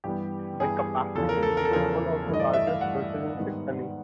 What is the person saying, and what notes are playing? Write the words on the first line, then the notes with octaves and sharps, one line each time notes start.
By capacity, it is one of the largest churches in Saxony.
G2 E3 G3 B3 G4
G2 E3 G3 B3 G#4
G#4
E2 C#3 F3 A4
A#4
A4
A#4
A4
E2 C#3 F3 A#4
G2 E3 A3
D#5
D5
E5
F5
G2 E3 A3 F#5
G#2 D#3 G3 B3